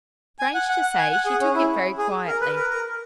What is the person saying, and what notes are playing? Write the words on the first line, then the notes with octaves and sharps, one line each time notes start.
Strange to say, she took it very quietly.
G#5
F#5
F#5
F#5
G#5
F#5
G#4
C#4
E4
G#4
A#4
B4
A#4
A#4